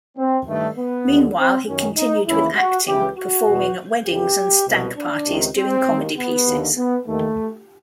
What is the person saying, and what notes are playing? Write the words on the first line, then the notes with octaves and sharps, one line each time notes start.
Meanwhile, he continued with acting, performing at weddings and stag parties doing comedy pieces.
C4
G2 D#3 A3
B3
D#2 D3
C4
F#2 D#3 C#4
D#4
D#2 C#3 E3 E4
F#4
C#2 C#3 E3 G4
F#4
E2 B2
F2 C#3 E3 G4
C2 B2
D4
C#2 C3 D#3
C4
D#2 D#3
B3
D#2
D3
B3
D#2 D#3 A3